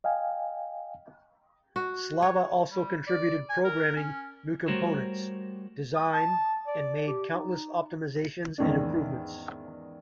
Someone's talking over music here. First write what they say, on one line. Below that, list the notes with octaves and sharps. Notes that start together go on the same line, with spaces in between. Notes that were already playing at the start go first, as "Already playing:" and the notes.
Slava also contributed programming new components, design and made countless optimizations and improvements.
D#5 F5 G5 G#5
F#4
C#5
G3
D5
G#5
A#4
C#4
G3 A3 F#4 A#4 C5 C#5
D#6
A5
D5
G4
D#4
E2 G#2 D#3 C#4 D4